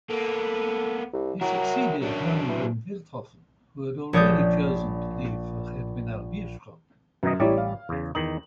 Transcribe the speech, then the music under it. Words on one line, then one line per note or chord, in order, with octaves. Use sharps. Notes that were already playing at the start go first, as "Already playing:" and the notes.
He succeeded Harm Van Veldhoven, who had already chosen to leave for Germinal Beerschot.
A#3 B3 A4
C2
F#3 E4 A#4
F#2 F#3 D4
E3
A#1 C#5 D5 D#6 G6
F#2 B2 D#3 D#5
A1 G3 E4 G4 C#5 D5
F5
E2 C#3
E2 D#3 D#4 F#7